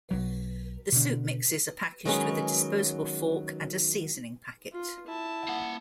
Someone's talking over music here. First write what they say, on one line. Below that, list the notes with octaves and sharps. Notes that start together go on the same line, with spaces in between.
The soup mixes are packaged with a disposable fork and a seasoning packet.
B1 F#3
B2 D3
D#3 F#3 G#3 B3 C#4 G#4
F4
E4 A5
A#3 F#5